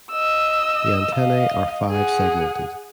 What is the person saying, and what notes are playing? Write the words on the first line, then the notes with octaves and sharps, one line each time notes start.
The antennae are five segmented.
D#5 E6
D#5 F5
G#4 F#5